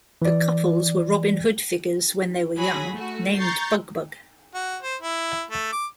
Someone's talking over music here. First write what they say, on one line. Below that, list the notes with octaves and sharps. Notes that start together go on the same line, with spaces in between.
The couples were Robin Hood figures when they were young, named BugBug.
E3 D5
F#3 G#4 B5 A#6
A3 F#4
A#5 C#6 G6 A6 C7
F#4
C5
E4
A3
D6